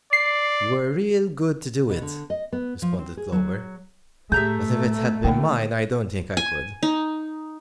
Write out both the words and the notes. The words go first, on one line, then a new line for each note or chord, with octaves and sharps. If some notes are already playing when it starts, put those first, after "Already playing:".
"You were real good to do it," responded Clover; "but if it had been mine I don't think I could."
D5 C7
B2
D3
D#5
B3
F3
C4
G#4
F#3
A2 A3 G4 G#4 E5 A#5 G6
D3 A#3 D#4 G5
G#5
D#4